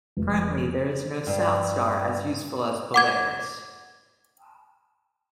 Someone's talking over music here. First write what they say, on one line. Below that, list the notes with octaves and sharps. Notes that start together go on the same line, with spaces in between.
Currently, there is no South Star as useful as Polaris.
F1
G2
F#5 D6 G#6